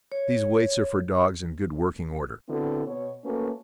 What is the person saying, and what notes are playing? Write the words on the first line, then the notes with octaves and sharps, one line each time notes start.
These weights are for dogs in good working order.
C#5
D3 B3 C4 E4 F#4 A4
B2 C#5
A3 A#3 C#4 F#4 A4 B4